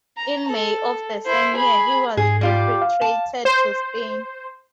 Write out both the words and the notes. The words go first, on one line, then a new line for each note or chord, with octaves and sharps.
In May of the same year he was repatriated to Spain.
A#5
A4
E4 C5
G#4 B5
G#2 G#4
G3 F4 G4
F5
A5
C5